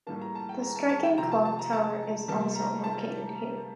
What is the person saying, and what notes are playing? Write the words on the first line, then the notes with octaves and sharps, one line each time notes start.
The striking clock tower is also located here.
A2 G3 A#3 A5
A#5
A5
G5
A#5
A5
A5
G5
C3 F3 C4 A#5
A5
A5
A#5
A5
C3 G3 A#3 A5
A#5
A5